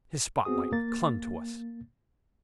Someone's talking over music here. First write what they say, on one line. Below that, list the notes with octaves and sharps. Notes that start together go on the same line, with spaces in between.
His spotlight clung to us.
B3 C4 F#4 G#4 D#6
A#3 A6